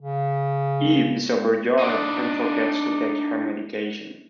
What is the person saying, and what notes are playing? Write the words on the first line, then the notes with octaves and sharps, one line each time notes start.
Eve is overjoyed and forgets to take her medication.
C#3
D4 D#4